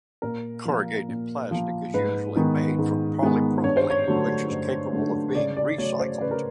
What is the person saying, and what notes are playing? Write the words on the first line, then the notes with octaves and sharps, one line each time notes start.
Corrugated plastic is usually made from polypropylene which is capable of being recycled.
A#2 A#4
F3 A#3
A#2
F3 A#3
G#2 B4
D#3 G#3 B3
G#2
D#3 G#3 B3
G2 C#5
C5
C#5
D3 F#3 A3
G2
D3 F#3 A3
C#3 D5
D5
F#3 A3 C#5
C5
C#3 B4
A#4